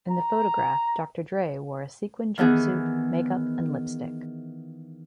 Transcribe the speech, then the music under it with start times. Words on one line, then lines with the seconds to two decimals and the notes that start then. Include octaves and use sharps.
In the photograph Doctor Dre wore a sequined jumpsuit, makeup, and lipstick.
0.10 A#5
2.38 D#3 E3 B3 G#4